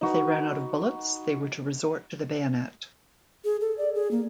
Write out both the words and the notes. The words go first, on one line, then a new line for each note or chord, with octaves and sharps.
If they ran out of bullets they were to resort to the bayonet.
D#4 F#4 B4
G#4
A4
D5
G#4
A#3